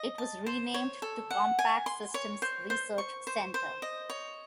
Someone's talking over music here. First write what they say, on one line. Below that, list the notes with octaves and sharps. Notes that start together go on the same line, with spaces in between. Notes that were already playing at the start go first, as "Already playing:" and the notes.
It was renamed to "Compaq Systems Research Center".
Already playing: D#5
A5
C5
C#5
A4
F#5
G#5
C6
C#5
C5
C5
C#6
C5
C5
D#5
C#5